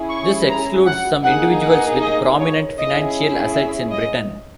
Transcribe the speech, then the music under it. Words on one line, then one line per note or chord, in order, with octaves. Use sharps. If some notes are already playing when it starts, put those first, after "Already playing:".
This excludes some individuals with prominent financial assets in Britain.
Already playing: C#4 E4 G#4
C#6
A#5
F#5
A#3 D#4 G#4 F#5
F#5
D#5
C#5
C#4 E4 G#4 D#5
E5
D#5